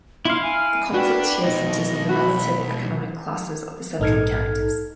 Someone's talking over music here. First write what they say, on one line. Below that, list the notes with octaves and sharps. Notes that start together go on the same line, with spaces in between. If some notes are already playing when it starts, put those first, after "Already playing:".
The conflict here centres on the relative economic classes of the central characters.
E4 F5 C6
G#5
D4 F#4 B4 G5
B2 D#4 D#5
F#4 B5
A#1 G#2 D#4 A4 F6 G#6